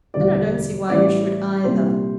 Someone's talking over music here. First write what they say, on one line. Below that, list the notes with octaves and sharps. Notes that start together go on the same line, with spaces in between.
And I don't see why you should, either.
E1 D2 D3 G3 D5
A1 A2 G3 D5
C2 A#2 G3 C5